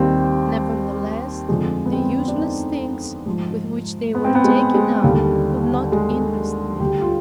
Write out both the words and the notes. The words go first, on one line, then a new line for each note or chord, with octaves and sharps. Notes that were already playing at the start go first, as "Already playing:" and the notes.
Nevertheless, the useless things with which they were taken up could not interest me.
Already playing: D#2 D#3 G3 C4
F2 D3 F3 G#3
B3
C4
D4
D#4
G#2 F3
B3
C4
B3
G#3
G#3
D#2 D3 G3
G#3
D2 D3 G3 G4
F4